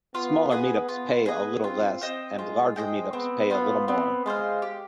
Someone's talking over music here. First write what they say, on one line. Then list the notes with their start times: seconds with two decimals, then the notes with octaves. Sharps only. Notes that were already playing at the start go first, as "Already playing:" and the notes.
Smaller Meetups pay a little less and larger Meetups pay a little more.
0.15 B3 F4
0.51 G#4 B4 D#5
0.88 B3 F4
1.26 B3 G#4 B4 D#5
1.64 C4 F4
2.01 C4 C5 D#5 G5
2.39 G#3 F4
2.76 G#3 C5 D#5 G5
3.13 B3 C4
3.50 B3 F4 C5 F5
3.88 B3 C4
4.26 G#3 F4 C5 F5
4.62 G4